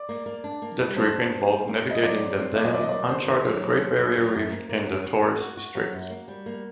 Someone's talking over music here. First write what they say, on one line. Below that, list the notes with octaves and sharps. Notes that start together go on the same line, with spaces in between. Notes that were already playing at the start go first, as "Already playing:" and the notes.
The trip involved navigating the then uncharted Great Barrier Reef and the Torres Straits.
Already playing: D5
A#3
A#3
D4
A#3
G3
D4 C5
D4
A#3
G3
A#3
G3
D#5
F#3 D5
C4
C4
F#3 D5
D#5
D#3 D5
D#5
D#2 D5
D#2 C5
D#3
F#3
D#2
D#2
F#3
F#3
F#2
A#3
A#3
F#3
F#4
A#3
F#4
F#4
F#3 F#4
F#2
A#3
G3
A#3